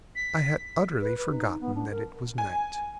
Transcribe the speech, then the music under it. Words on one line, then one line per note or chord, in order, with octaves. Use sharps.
I had utterly forgotten that it was night.
B6
B4
B4
D#4
B3
D4
A#4
G#5